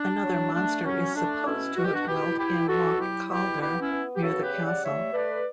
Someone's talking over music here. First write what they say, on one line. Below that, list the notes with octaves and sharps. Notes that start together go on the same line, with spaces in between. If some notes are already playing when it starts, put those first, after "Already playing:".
Another monster is supposed to have dwelt in Loch Calder near the castle.
Already playing: D4
F#3
A3 D4
F#3 C#4
A3 D4
B2 C#4 E4
B2 F#4
G4
D4 F#4
B2 E4 G4
B2 E4 G4
B2 F#4 A4
F#3 E4 G4
B2 E4 G4
B3 E4 G4
C#4 E4
B3
G4
C#3 F#4 A4
G4 B4
G3
D5 F#5
A3 C#5 E5
A3 B4 D5